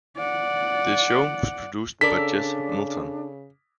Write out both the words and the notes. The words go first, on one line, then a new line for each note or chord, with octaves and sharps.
The show was produced by Jess Milton.
D5 F#5
C#3 D4 A4 A#4 D5 B6